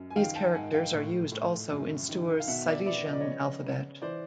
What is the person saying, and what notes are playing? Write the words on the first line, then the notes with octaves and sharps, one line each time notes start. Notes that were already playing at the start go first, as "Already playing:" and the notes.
These characters are used also in Steuer's Silesian alphabet.
Already playing: F#2
G#5
D#3 F5 G5
G5 A5
G#2 F#5 G#5
F5 G5
A2
A2
F#2
D#3
F5
B2 E5 F#5
D5 E5
B3 D5 E5
D#5
D5
C#3 C#5 D#5
C#3
E3 C5 D5